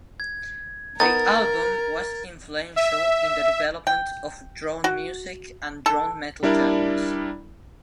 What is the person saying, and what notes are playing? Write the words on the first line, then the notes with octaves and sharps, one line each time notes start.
The album was influential in the development of drone music and drone metal genres.
G#6
B3 D#4 A#4 A6
E5
G5
F#4
A4
G3 D4 E4 A#4 D5